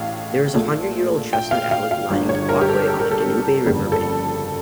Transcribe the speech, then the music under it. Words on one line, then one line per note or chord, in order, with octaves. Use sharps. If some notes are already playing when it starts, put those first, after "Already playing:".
There is a hundred-year-old chestnut alley lining the walkway on the Danube River bank.
Already playing: A1 A2 F5
A#1 A#2 A3
G5
F5
F5
F5
G1 G2 D3
C#5
A#4
G4
A4
A4
A#4
A4
G1 F2 C#3 G3 A#3
A4